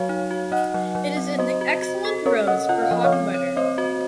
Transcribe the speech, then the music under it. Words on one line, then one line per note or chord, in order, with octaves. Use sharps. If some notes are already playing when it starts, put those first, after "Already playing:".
It is an excellent rose for hot weather.
Already playing: F#3 F#4 C#5 F5
D#4
F#4
D#4 D#5 F#5
F#3
F#3
C4
F#4 C5 D#5
F#4
F#4
A4
C#4 A#4 C#5
C#4 D#5 F#5
F4 F#5
F5
F3 D#5
C#5 F5
C4
C#5
C4 C5 D#5
F#4